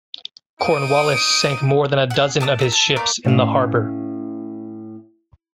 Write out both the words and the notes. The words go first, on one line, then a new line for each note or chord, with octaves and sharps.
Cornwallis sank more than a dozen of his ships in the harbor.
D#4 D#6 D7 D#7
G#4 F#5
D5 A5 D#6 F6
A4 A#4 E5
A4
A3 A#3 A#4 D5
A2 C#4 F5